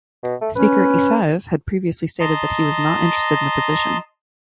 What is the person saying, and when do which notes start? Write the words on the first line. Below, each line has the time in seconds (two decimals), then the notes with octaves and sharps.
Speaker Isaev had previously stated that he was not interested in the position.
0.23 B2
0.41 A3
0.56 C#4 B4
2.20 D#5 A5 A#5 C6